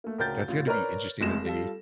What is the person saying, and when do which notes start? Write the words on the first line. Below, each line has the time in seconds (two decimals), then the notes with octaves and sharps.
That's gonna be interesting that they
0.04 A3 A#3
0.18 D2 C#3 A#4 G5 G6 A6
0.48 A1 F4
0.67 A#4 B4 C#5 D5 A#5 F6
1.21 F1 G#3 A3 A#6 E7
1.45 G3 F4 A4